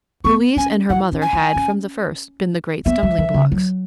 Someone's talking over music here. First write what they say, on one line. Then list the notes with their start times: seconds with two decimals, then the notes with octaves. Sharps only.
Louise and her mother had, from the first, been the great stumbling-blocks.
0.24 B3 C#6
0.56 C#4 G#5
0.89 E4 F#5
1.12 C#4
1.22 G#5
1.33 E4
1.55 C#4
2.85 B3 E5
3.03 G#3
3.18 E3
3.34 C#3
3.52 F#3